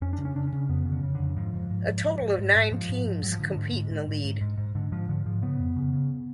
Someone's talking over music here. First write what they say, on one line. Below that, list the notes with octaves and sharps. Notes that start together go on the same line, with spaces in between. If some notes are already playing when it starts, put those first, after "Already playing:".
A total of nine teams compete in the league.
F2 C#4
D4
C#3
C#4
C#3 D4
C#4
C#3
F2 B3
C#3
D3
C#3
F2 D3
G#2 F3
G#2
G#2
G#2
G#2
G#2
G#2
G#2
G#2 F3
G#2
G#2
G#2 F#3
F3
G#2 D3
G#2
G#2
G#2
G#2
G#2
G#2
G#2
G#2 D3
G#2 F3
G#2 D3
G#2 F3
C#3 B3
F2
C#3
C#3